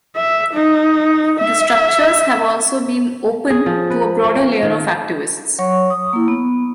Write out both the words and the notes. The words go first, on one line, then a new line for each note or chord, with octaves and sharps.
The structures have also been "open" to a broader layer of activists.
E5
D#4
E5
G#4
F3
B4
A3
A#3
D#3
F#3 C#5 C#6
D#6
A#3 E4
B3